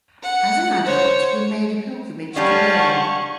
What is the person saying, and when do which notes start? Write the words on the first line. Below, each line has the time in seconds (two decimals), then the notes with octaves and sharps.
As an adult he made a pilgrimage to Rome.
0.22 F#5
0.85 C5 C#5
2.36 G3 C#4 D4 F4 F#5 A5 C#6